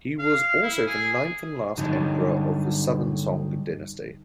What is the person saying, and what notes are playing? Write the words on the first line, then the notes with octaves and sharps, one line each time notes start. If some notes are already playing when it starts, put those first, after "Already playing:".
He was also the ninth and last emperor of the Southern Song dynasty.
F5
E4
G#4
G2 D3 F#3 D#4